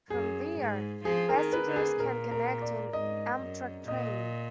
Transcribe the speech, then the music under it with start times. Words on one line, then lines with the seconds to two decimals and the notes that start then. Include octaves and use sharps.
From there, passengers can connect to an Amtrak train.
0.10 F#2 G#4
0.57 G#2
1.05 F3 G#4
1.29 A#4
1.36 D#3
1.53 B4
1.68 D3
1.76 G#4
2.00 A#2 A#4
2.31 A#4
2.62 D5
2.93 G#2 D#5
3.40 F#2
3.88 A#2 D#5